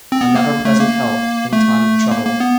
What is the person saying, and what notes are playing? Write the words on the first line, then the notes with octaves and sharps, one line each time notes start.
A never present help in time of trouble.
C4
B3
A#3
A3
A#3
A3
A#3
A#3
B3